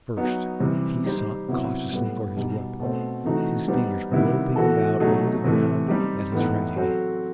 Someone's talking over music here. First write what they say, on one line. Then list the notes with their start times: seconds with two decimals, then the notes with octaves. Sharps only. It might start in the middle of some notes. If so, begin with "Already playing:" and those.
First he sought cautiously for his weapon, his fingers groping about over the ground at his right hand.
0.17 F#3 B3 D#4
0.60 C3 E3 G3
1.04 G3 D#4 G4 C5
1.48 C3 F#3 B3 E4
1.92 A2 G3 B3
2.36 B2 G3 D#4
2.80 B2 A3 C4
3.24 C3 E3 A3 D#4 F#4
3.68 G3 B3 D#4 G4 C5
4.12 C3 D#3 G3 B3 E4
4.56 E3 B3 F#4 A4
5.00 B2 F#3 A3 D#4
5.44 C3 E3 A3
5.88 G3 C4 D#4 G4
6.32 A2 E3 B3 D#4
6.76 F#3 C4 F#4 A4 C5